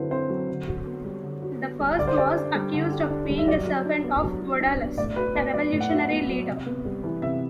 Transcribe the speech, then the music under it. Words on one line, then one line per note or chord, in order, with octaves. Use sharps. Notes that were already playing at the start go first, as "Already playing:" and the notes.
The first was accused of being a servant of Vodalus, a revolutionary leader.
Already playing: D3 F#3 C4 E4 B4 C5
C4 C5
F#3
D3
F#4
B3
G3
D3
F#4
B3
G3
D3 D5
C5
G4 D5
D4
G3
D3
G4
D4
G3
E5
F#3 D5
F#3
D4
B3
F#3
F#3
D4
B3
A2 D5
F#4 B4
B3 D5
F#3 D5
A2
F#5
F#4 E5
F#5
B3
F#3
C3
B3
G3
E3
C3 E5